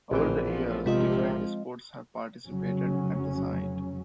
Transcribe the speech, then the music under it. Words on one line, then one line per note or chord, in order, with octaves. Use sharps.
Over the years different sports have participated at the site.
A#1 A2 D3 E3 C4 G5
F3 B3 C4
C3 F3 G#3 C4 F4 D#5
F1 C#3 F#3 C#4